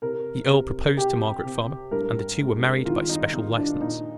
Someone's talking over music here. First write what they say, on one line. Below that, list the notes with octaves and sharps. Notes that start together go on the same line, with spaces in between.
The earl proposed to Margaret Farmer, and the two were married by special license.
C3 A#4
C3
C3 G4
C3
G2 A#4
G#3
D#3 F4
D#4
D#3 D#4
D4
A#2 D#4